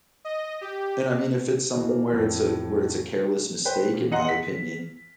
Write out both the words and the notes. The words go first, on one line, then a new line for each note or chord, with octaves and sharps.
and I mean, if it's something where it's a where it's a careless mistake in my opinion,
D#5
G4
B2 E3 A#3
F2 A2 A3
B4 C5 G5
A#2
D#5 F#5 A#5 C6
B6